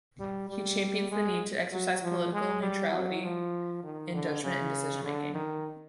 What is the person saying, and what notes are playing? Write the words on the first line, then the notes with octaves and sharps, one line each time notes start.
He champions the need to exercise political neutrality in judgement and decision making.
G3
G3
G#3
F#3
F3
G#3
G3
F#3
F3
D#3
D3
C#3
D3
D#3